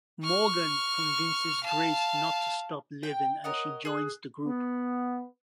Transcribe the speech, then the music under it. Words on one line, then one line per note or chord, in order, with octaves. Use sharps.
Morgan convinces Grace not to stop living and she joins the group.
C#6 F6
F5 A5
G5
A#4 C#5 D#5 F#5
G#4 F#6
B3